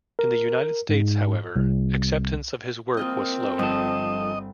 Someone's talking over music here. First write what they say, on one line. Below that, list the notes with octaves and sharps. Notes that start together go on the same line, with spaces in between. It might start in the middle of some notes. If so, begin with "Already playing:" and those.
In the United States, however, acceptance of his work was slower.
A#4
G#2
C2
A#3 C4 F4 D#5
G1 G2 F3 A4 D#5